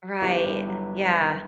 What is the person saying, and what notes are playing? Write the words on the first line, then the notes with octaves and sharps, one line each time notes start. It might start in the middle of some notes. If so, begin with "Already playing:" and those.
Right. Yeah.
G1 E4 G4
G2
F#3